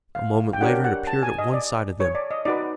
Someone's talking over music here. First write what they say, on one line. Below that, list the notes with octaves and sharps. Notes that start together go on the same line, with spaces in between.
A moment later it appeared at one side of them.
F5
G5
D4 G4 A#4 C#5 F#5
F#5
A5
G#5
D#5
D5
C#5
D5
D#5
D#4 F#4 B4 D5